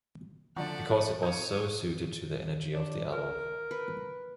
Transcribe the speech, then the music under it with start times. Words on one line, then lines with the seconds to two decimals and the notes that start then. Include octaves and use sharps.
Because it was so suited to the energy of the album.
0.56 D3 F3 F#3 A3 D5 F#5
1.23 D#4 C#5 F5 D#6
2.74 D4
3.12 A#4
3.71 B4